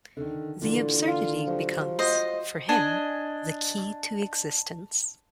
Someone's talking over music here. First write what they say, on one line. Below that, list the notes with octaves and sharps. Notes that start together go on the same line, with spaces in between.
The absurdity becomes, for him, the key to existence.
D3 D#3
A#2 D3 E3
F4
F3 F#3 F#4 G4
F4 F#4 C5 D#5 F#5
D4 D#5 G#5